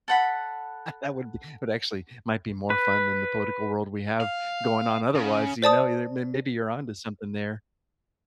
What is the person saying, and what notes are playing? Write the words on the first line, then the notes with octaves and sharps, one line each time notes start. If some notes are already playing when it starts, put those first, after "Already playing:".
That would be but actually, might be more fun than the political world we have going on otherwise, you know, your they may maybe you're on to something there.
A4 F#5 B5
B4
F5
C#3
C5 D5 A5 D#6